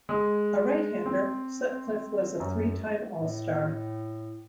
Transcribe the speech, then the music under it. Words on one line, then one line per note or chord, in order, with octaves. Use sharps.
A right-hander, Sutcliffe was a three-time All-Star.
G#3
C4
F#2
A2